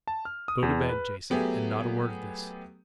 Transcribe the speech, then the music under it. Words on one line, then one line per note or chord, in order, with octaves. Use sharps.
"Go to bed, Jason--and not a word of this."
A5
F6
D#6
E2
B4
F#3 A3 B3 G4 G#4